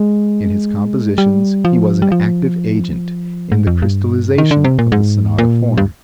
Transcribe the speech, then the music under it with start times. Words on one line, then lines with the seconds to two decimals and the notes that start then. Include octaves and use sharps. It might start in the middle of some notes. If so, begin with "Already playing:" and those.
In his compositions he was an active agent in the crystallization of the sonata form.
Already playing: G#3
1.18 G3
1.65 F3
2.02 G3
2.12 F3
3.52 G#2
3.67 F2
3.82 G2
4.38 D#3
4.51 D3
4.64 C3
4.79 A#2
4.92 G#2
5.38 A#2
5.78 G2